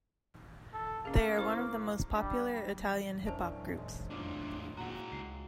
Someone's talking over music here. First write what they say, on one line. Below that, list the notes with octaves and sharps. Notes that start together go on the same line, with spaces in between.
They are one of the most popular Italian hip hop groups.
A4
A#3 C#4 G#4
E4 C5 C#6
G3 D4
E2 D#3 C#4 D4 E4 C5 D5 A5
G#3
E2 A2 D4 D#4 F4 D6
A#2 F#4 G#4 F#5 A#5
C#2 C7